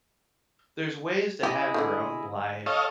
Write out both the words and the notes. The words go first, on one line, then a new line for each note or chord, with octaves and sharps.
there's ways to have your own life
E4 G4 G#4 D#5
D3 D#3
A4 C#5 D#5 F5